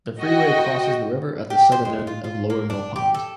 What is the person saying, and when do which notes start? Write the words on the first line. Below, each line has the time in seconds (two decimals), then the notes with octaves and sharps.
The freeway crosses the river at the southern end of Lower Mill Pond.
0.21 F#4 D#5 G5
1.50 G4
1.72 C5
1.85 G#3
2.07 F4
2.24 F4
2.50 A#3
2.70 D4
2.96 G4
3.14 A4